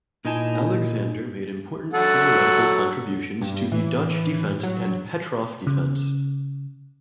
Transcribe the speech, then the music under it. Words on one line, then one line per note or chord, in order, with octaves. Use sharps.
Alexander made important theoretical contributions to the Dutch Defence and Petroff Defence.
A#2 D#4 E4 D#5 G#5 A5
F#3 A4 F#5
G2
A2 E3
F#3
C#3